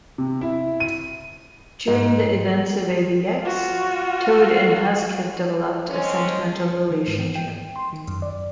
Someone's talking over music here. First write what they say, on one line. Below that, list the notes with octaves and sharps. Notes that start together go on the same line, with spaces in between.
During the events of AvX, Toad and Husk have developed a sentimental relationship.
C3
E4
D#7
G#2
F4 F#4
G#3 C4 C#4
D#3
G#2
E3
G5
C6
D#3
F#2
D5